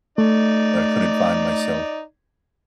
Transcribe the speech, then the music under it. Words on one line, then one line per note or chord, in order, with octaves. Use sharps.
uh, couldn't find myself
A3 D#4 D5